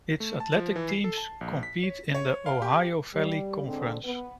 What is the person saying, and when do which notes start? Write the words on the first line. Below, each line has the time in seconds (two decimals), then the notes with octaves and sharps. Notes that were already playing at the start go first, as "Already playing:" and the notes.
Its athletic teams compete in the Ohio Valley Conference.
0.20 A3
0.40 A5
0.56 F3
0.76 E3
0.89 C7
1.04 A4
1.17 A5
1.41 A#1
1.63 B6
1.83 C#5
2.14 C#5
2.46 F5
2.62 G4
3.14 G3
3.66 G#2 D3 C4
4.04 B3